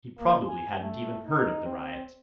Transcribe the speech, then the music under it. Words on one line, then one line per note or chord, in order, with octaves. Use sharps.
He probably hadn't even heard of the riot.
A#3
G#5
A3
D#4
C4